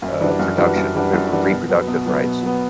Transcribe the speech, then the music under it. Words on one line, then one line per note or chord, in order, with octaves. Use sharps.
uh, production eh, re reproductive rights
F#2
E3 G3 D4 F#4
F#2
E3 G3 D4 F#4
F#2
E3 G3 D4 F#4
F#2
E3 G3 D4 F#4
B2
F#3 B3
B2
F#3 B3
B2
F#3 B3